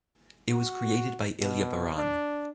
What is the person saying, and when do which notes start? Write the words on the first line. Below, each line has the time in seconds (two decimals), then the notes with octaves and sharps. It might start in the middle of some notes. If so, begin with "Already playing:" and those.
It was created by Ilya Baran.
0.50 F#4
1.41 B2
1.97 D4